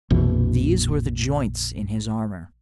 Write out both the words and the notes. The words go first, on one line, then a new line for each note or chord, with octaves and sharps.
These were the joints in his armor.
A#1 F2 B2 E3